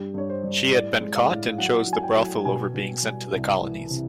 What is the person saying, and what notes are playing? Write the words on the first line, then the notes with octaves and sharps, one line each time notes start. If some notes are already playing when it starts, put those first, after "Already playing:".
She had been caught and chose the brothel over being sent to the Colonies.
Already playing: G2 G4
G2 C#5
C5
G3
A2 D5
G#3
F5
A2
F#3 F#5
F#3
G#5
G5
F#3
B2 G#5
B2
G3
C2
E3
C3